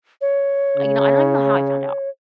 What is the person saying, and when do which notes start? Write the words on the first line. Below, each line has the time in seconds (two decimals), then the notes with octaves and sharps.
you know, I don't even know how he found out
0.21 C#5
0.76 C#3